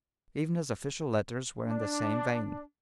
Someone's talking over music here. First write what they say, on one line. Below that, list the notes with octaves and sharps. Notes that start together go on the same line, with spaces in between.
Even his official letters were in the same vein.
D4